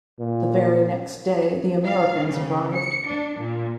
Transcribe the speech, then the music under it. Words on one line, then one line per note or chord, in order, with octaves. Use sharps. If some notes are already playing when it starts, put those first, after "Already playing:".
The very next day the Americans arrived.
A#2
F5
C#3
C#7
D4
A#2